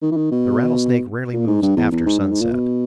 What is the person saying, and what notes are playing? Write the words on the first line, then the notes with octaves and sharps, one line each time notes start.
The rattlesnake rarely moves after sunset.
D#3
E3
D#3
B2
A#2
G#2
G2
E2
E2
G#2
G2
G#2
A#2
B2